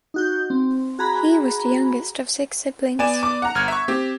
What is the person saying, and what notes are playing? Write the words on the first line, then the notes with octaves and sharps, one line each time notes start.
He was the youngest of six siblings.
D#4 F#4 G6
C4
F#4 G#4 A#5 B5
B3 D5 G#5 E7
D6
F#5 A#5
G1 F6 G#6
E5 C#6
C4 G4